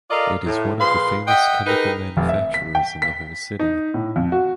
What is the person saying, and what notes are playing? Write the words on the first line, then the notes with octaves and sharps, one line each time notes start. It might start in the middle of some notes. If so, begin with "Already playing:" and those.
It is one of the famous Chemical manufacturers in the whole city.
F4 A4 A#4 D5 D#5 F5
A2
A#2 F3 G#4 B4 F5 C6
D#5 E5 F#5 G5
D#4 G4 G#4 A#4 B4
F1
E5
B6
G5
B6
D#4
A2
F2
F#4